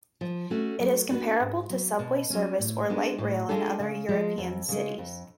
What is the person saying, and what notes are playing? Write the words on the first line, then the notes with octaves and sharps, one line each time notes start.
It is comparable to subway service or light rail in other European cities.
F3
A3 C#4 F#4
F#3
B3 D4 F#4 B4
G#2
F#3 B3
B2
F#3 C#4
A2
G#3 B3 D4
A2
G#3 D4 F4 A4
C#3
F3 G#3
F2
C#3 G#3
F2